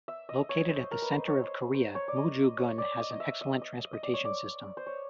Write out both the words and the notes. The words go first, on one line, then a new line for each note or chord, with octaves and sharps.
Located at the center of Korea, Muju-gun has an excellent transportation system.
E5
D#5
C#5
C5
A#4
B4
C5
C#5
C5
C5
C#5
D5
D#5
C#5
D5
D#5
D#5
E5
D#5
D#5
D#5
D5
C#5
D5
C5
C#5